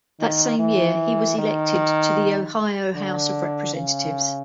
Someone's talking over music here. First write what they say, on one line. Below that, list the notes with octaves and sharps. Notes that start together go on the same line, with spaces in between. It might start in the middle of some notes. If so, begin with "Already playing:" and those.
That same year, he was elected to the Ohio House of Representatives.
D#3
E3
D#3
D3
C#3